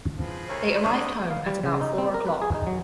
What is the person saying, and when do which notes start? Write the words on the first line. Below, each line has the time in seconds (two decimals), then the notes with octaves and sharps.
They arrived home at about four o’clock.
0.17 F3 C4 G#4 B4
0.49 D2 A#4 C#5 E5
0.84 D3 C#5 D5 C6 D#6
1.30 F5
1.46 G3
1.64 C#3
1.81 D#4
1.98 C4
2.14 A#4
2.27 B4
2.42 G#4
2.54 D#4
2.67 F#3